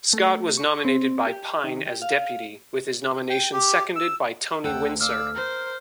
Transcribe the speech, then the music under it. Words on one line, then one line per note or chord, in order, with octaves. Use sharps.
Scott was nominated by Pyne as Deputy; with his nomination seconded by Tony Windsor.
A3
C#6
C4
G4
D#3
G4
F5
G5
G4
E6
D2 A4 F#5 G5 E6
D5 F5 D6 E6 F6
A#4 C5